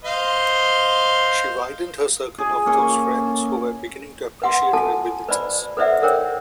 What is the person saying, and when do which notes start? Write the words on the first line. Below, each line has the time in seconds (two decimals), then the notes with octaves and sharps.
She widened her circle of those friends who were beginning to appreciate her abilities.
0.04 C5 D#5 F5
2.38 G#4
2.66 A#3 C#4 A4 G#5
4.42 B4 F#5 C6
4.73 F#4 A4 G#5 A5
5.29 B4 C5 D5 B5
5.77 A4 B4 C5 D5 E5 F#5
6.02 A4 A#4 C5 C#5 G5